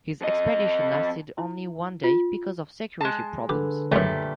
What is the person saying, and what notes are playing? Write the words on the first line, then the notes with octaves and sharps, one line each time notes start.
His expedition lasted only one day because of security problems.
F2 D#5
E4
F4
G#3 A5
D3 G4 A4 B4
C#2 F#2 A#2 G3 A3